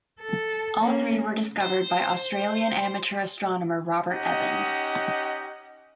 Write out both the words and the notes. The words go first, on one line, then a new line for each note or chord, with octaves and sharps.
All three were discovered by Australian amateur astronomer Robert Evans.
A4
A#3 C#4
C5
C#4 D#4 G4 D#5 F#5